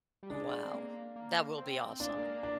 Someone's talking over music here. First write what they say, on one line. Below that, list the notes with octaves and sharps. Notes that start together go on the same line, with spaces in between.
Wow. That will be awesome.
G3
G#3 D4
C4
A#3
A#3
C4
A#3 D4
G#3
A#3
D4